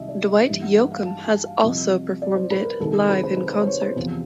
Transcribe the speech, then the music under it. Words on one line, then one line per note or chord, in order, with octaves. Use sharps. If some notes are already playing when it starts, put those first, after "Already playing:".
Dwight Yoakam has also performed it live in concert.
Already playing: C2 C3 D#3 F#3 D#5 E5
D5
D#5
G2 E3 G3 A#3 E5
F#5
F#5
F5
A5
A5
G#5
F5
C2 C3 F3 D#5
D5
C5
B4
A#4
C2 C3 D#3 G#3 A4
G#4
B4
C5
C5
C#5
C5
C#5
C5
E2 C3 F3